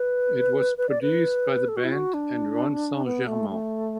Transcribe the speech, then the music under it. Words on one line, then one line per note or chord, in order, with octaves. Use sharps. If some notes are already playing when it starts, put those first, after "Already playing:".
It was produced by the band and Ron Saint Germain.
Already playing: B4
B4
D5
B4
A4
F#4
E4
F#4
D4
B3
A3
A3